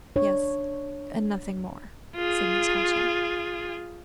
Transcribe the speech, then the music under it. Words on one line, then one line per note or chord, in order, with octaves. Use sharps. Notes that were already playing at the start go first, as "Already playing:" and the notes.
"Yes, and nothing more," said Natasha.
D4 C#5
F4 G#4